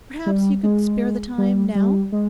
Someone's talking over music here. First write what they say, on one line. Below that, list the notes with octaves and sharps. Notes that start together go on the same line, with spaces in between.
Perhaps you could spare the time now?'
G3
G#3
G3
G3
G#3